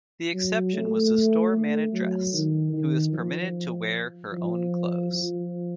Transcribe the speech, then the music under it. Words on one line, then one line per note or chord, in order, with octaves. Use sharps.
The exception was the store manageress, who was permitted to wear her own clothes.
F#3
A3
A3
F#3
D#3
D#3
F3
F3
F3